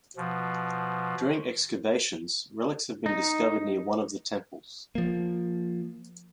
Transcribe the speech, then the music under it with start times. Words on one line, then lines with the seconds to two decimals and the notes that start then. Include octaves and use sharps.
During excavations, relics have been discovered near one of the temples.
0.17 B2 F3
3.06 D#4
4.95 F3 A#3